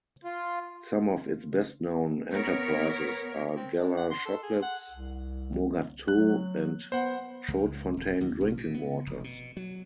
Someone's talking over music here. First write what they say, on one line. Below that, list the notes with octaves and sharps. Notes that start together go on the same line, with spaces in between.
Some of its best-known enterprises are Galler chocolates, Magotteaux and Chaudfontaine drinking waters.
F4
B3 A#4 C#5
C4
D4
F#5
C6
A4
G#4
F#5
C2
F#3 F#6
B3 C5 F#5
C#2
D#1
D#2
B1
A#2
B3
F1
B2
F#3